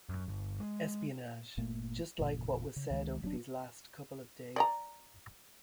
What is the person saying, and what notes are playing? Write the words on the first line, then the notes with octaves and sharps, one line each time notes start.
Espionage just like what was said over these last couple of days.
F#2
G1
G#3
G1 A#2 A3 A#3
G1 E2 A#2 C#3
C#3
C#2 D#3 G#3
E1 F#3 C4 D4
D5 D#5 A#5